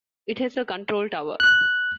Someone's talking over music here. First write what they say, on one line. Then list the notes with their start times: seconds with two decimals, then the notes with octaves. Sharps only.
It has a control tower.
1.40 F#6